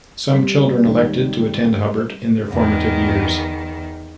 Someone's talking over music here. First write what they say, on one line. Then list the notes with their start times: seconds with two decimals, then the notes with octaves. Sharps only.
Some children elect to attend Hubbard in their formative years.
0.33 G3 C5 B6
0.85 D#2 G#2 D#3
1.98 C5
2.50 E2 D#3